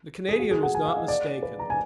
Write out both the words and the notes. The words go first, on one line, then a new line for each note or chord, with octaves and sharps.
The Canadian was not mistaken.
G#4
F#4
G#4
F#5
G#5
F5
D#5
D5
B4
A#5
G#5